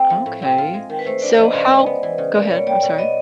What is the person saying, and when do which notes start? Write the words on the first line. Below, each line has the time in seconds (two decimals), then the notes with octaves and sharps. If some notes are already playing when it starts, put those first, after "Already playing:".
Okay. So, how go ahead, I'm sorry.
Already playing: A3 C4
0.10 F3
0.26 A2
0.42 C4
0.58 F4
0.74 G#3
0.89 D#3
0.99 B4
1.06 A3 C5
1.22 D4 D5
1.38 F3 D#5
1.54 C#3 D5
1.70 G#3
1.86 B3
2.03 E3
2.18 C#3
2.35 A#3 D5
2.50 B2 C#5
2.67 G3 D5
2.83 B2
2.98 B3 D#5